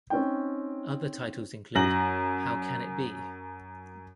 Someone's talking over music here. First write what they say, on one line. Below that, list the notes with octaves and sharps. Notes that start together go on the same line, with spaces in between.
Other titles include How Can It Be?
C4 C#4 D#4 G5
F#2 A#6 F#7